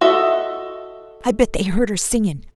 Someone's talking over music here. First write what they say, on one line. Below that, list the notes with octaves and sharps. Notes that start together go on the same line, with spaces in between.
I bet they heard her singin'!
F#4 A4 D#5 E5